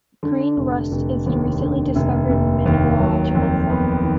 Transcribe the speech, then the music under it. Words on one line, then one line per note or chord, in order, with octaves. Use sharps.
Green rust is a recently discovered mineralogical form.
D3
F1
F1
D#2
D3
F1
F1
D#2
F#3
F2
B3
D#3